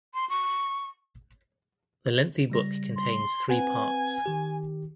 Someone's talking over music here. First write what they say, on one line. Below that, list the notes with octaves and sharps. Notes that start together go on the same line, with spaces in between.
The lengthy book contains three parts.
C6
C#6
C#3 G3 A#6
C6
C4 B4 F#5 G#5
D#3 G4